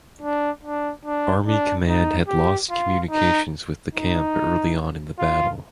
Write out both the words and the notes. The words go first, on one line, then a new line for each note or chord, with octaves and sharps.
Army command had lost communications with the camp early on in the battle.
D4
D4
D4
D4
D#4
G4
F4
D#4
D#4
F4